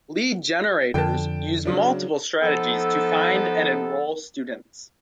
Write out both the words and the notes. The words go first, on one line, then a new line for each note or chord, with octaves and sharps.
Lead generators use multiple strategies to find and enroll students.
F2 D3 G5 A5
C#3 F#3 D4
F3 B3 D#4 A4